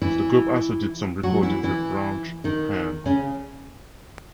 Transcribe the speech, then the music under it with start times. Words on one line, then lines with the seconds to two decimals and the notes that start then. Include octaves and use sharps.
The group also did some recordings with Raunch Hands.
0.01 E3 E4
1.23 F#3 F#4
1.43 E3 E4
1.63 E3 E4
2.44 D#3 D#4
3.05 C#3 C#4